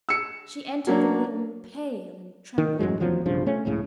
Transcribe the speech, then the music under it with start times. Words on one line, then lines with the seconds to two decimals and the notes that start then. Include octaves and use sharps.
She entered the room--pale and trembling.
0.09 E6 C#7
0.87 F#3 A#3 C#4 D4
2.58 D#3
2.79 A1 F#2 F#3 G#3
3.00 F1 E2 F3 F#3
3.26 B1 G2 C#3 F3
3.46 A3 C#4
3.65 F1 C#2 A2 C#3